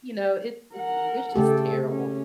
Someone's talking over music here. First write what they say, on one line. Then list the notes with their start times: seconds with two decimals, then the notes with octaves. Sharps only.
You know, it it's it's just terrible.
0.75 A#4 F#5
1.36 C#3 A3 G4 A4
1.88 C#4